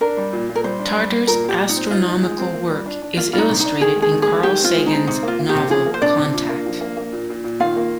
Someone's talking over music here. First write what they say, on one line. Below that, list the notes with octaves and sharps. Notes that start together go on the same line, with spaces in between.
Tarter's astronomical work is illustrated in Carl Sagan's novel "Contact".
D4 A#4
G3
A#2
A#2
A#4
G3 C5
D4
G3
G3
A#2 A#4
A#2
G4
A#2
D#4
C4
D#4 F4
D#4
G#3
C4
A#3
G3
D4
D4
A#3 F4
G3 D#4 F4
C3
D#4
D4
D#3 G#4
G#3
G#4
D#3
G#4
G#3
D#3 G4
C4 F4
G#3
C4 D#4
C3 D#4
A#3 F4
A#3
G4
C3
F3 G#4
A#3
C5
C3 D4 D5
C3
A#2
A#3
F3
A#3
A#3
A#2
A#2
A#2
D#3 F4 F5
A#3